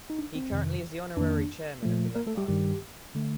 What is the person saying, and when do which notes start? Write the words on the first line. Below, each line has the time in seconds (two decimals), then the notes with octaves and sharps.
He currently is the honorary Chairman of the Left Party.
0.10 D#4
0.19 D4
0.35 C4
0.51 F2 C3 D#3
1.17 F2 D#3 A#3 D4
1.83 A#2 F3 A3
2.16 A#3 A#4
2.27 A3 A4
2.37 G3 G4
2.48 G2 D#3 G3 G4
3.15 D3 A3